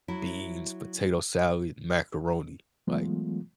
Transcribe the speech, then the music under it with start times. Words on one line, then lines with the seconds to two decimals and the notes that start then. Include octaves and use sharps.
beans, potato salad, macaroni. Like
0.08 F#3 E4
2.87 E3 F#3 G#3 A3 B3 F4